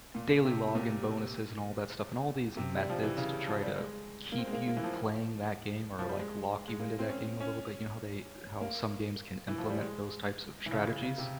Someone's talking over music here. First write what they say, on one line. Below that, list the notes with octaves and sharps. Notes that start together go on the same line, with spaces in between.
daily login bonuses and all that stuff, and all these methods to try to keep you playing that game or, like, lock you into that game a little bit, you know how they how some games can implement those types of strategies
A#2
C3
A#2
C3
G3
F3
E3
C#3
F3
G3
G#3
A#3
C4
G#3
A#3
A#3
E3
F3
F3
G3
G#3
G#3
A#3
C4
C#4
C#4
A#3
E3
F3
G3
G#3
E3
C#3
C#3
C3